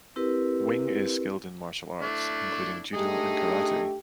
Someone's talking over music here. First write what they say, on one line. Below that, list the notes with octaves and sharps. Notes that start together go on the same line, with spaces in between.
Wing is skilled in martial arts, including judo and karate.
C4 E4 G4 A#4 B4
A3 D4 E4
A3 D4 D#4 G4 G#4